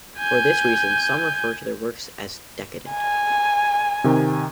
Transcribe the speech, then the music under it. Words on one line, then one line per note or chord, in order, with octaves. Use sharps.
For this reason, some referred to their works as "decadent".
G#5 G6
G#5
C3 D#3